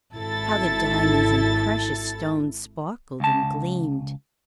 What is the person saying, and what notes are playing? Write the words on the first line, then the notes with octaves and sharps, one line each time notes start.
How the diamonds and precious stones sparkled and gleamed!
G#1 E4 A4 A6
C#2 A5